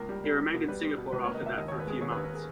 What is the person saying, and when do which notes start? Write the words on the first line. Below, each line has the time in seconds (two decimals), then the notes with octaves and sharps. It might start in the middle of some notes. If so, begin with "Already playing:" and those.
He remained in Singapore after that for a few months.
Already playing: C#2 A#3 A#4
0.09 G3
0.24 G3
0.39 G3
0.54 B2
0.68 G3 B4
0.83 G3
0.98 B2
1.12 C#2 B4
1.24 C#5
1.27 A#3
1.35 D#5
1.42 C#2 E5
1.57 D#2 D#5
1.68 C#5
1.71 D#2
1.80 B4
1.87 G#3 G#4
2.01 D#2 C#5
2.12 B4
2.17 D#2
2.24 A#4
2.35 G#4